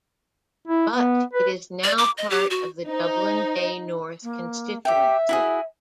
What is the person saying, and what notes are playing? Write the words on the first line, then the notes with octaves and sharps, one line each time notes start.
But it is now part of the Dublin Bay North constituency.
E4
B3
B4
D5
D6
D#5
G4
F#4
D#4 C5
A#3
G4 E5 G5
E4 F#4 G#4